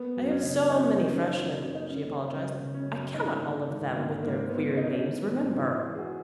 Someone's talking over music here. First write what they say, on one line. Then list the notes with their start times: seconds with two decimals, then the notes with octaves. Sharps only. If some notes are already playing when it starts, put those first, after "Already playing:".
"I have so many freshmen," she apologized, "I cannot all of them with their queer names remember."
Already playing: A#3 B3
0.17 F#2
0.30 C#4
0.43 C#3 D#4
0.57 C#4
0.70 F#2 D#4
0.83 C#4
0.95 A#3 D#4
1.09 C#4
1.21 A#3 D#4
1.35 C#4
1.48 F#2 D#4
1.61 C#4
1.75 A#3 D#4
1.88 C#4
2.07 A#3
2.32 C#3 C#4
2.60 C#3
2.74 C#4
2.88 F#2
3.14 G#1 D#4
3.41 A#3
3.69 G#1
3.95 G#1 A#3
4.22 G#2 A#3
4.49 G#2 B3
4.77 E3 D#4
4.85 C#4
4.93 D#4
5.04 G#1
5.32 G#1
5.58 E3 E4
5.86 E3
5.95 G#4
5.98 F#4